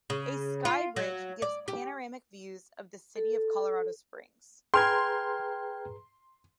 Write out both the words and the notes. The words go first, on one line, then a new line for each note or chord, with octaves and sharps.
A sky bridge gives panoramic views of the city of Colorado Springs.
C#3
F4
F#3
D5
G4
A4
G#4 B4 G5 A#5 C6 F6 G#6